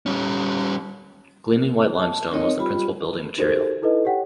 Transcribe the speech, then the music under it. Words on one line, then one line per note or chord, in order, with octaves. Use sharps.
Gleaming white limestone was the principle building material.
G3 C#4
A5
C4 D#4 A#4 C#5 D#5
G3 F4 G4 B5
D#4 F#4 G4 A4 A#4 C5
D#4 E4 A4 B4 D#5
G4 C#5 F#5 G5